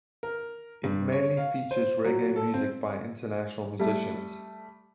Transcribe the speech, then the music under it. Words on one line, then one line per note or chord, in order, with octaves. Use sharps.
It mainly features reggae music by international musicians.
A#4
G2
C#5
F5
C5
F#3
A4
C4
G3 A3